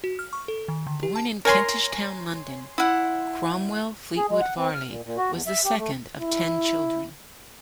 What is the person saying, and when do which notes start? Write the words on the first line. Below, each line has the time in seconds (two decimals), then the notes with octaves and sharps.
Born in Kentish Town, London, Cromwell Fleetwood Varley was the second of ten children.
0.04 F#4
0.19 F6
0.33 C#6
0.48 A4
0.68 D#3
0.87 D3
1.03 G4
1.16 A5
1.45 A#4 C#5 G#5 C6
2.78 E4 F#5
4.17 G#4
4.29 G#3
4.41 F#5
4.58 C4
4.75 F6
4.87 A#2
5.05 A#2
5.17 F#4
5.32 E2
5.47 E5
5.65 G4
5.78 A3
6.19 E4